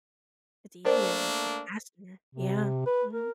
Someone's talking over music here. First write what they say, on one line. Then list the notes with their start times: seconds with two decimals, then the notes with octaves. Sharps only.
It's easier and it's faster. Yeah. Mhm.
0.85 A3 A#3 D4 A#4 C5 D5
2.34 C3
2.86 B4
3.13 A#4